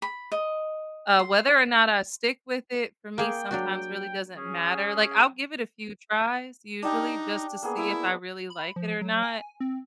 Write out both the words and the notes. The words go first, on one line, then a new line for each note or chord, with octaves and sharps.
Uh, whether or not I stick with it, for me, sometimes really doesn't matter, like, I'll give it a few tries usually just to see if I really like it or not,
B5
D#5
C6
A#3 G#4 G5
F#3 D4 F#4
C#4 G#4
D4 D#4 G4 G5
A#3 B3 G#4
E4
B5
F3
F#3
G#5
C4